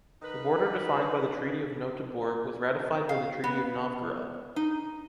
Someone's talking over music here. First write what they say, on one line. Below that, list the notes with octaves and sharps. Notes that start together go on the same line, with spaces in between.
The border defined by the Treaty of Nöteborg was ratified by the Treaty of Novgorod.
D#3 D#4 B4
F5
B3
D#4